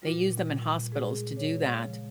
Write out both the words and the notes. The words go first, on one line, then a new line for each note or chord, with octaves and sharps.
they use them in hospitals to do that.
A#2 G3 F4
A#2 G3
A#2 G#3 G#4
A#2 G#3 C#5
C#3 F3 G#3